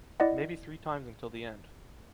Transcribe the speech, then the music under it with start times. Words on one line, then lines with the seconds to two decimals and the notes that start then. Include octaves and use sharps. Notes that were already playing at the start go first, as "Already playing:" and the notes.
Maybe three times until the end.
0.20 E4 D5 D#5 F#5